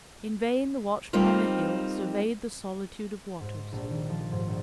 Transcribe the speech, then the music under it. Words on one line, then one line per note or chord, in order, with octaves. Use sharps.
In vain the watchman on the hill surveyed the solitude of waters.
G3 A#3 C4 D#4 F4
G#2
A#1
D#3
F3
G#2
A#1